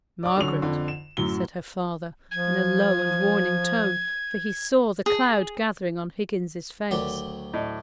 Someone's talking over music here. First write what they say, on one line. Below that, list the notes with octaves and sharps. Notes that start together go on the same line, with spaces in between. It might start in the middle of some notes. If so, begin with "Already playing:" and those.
'Margaret,' said her father, in a low and warning tone, for he saw the cloud gathering on Higgins's face.
D5 D6
D3 F#3 C#4 F7
F2 D3
E7
F#2 A2 F#3 G7
F3 G#6
G#4
D2 D#3 F#3 G4 A#4 D5
A2 D5 D#5